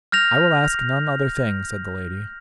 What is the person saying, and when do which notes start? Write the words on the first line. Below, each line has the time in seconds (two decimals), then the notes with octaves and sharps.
I will ask none other thing, said the lady.
0.12 F6 G6 A#6 F7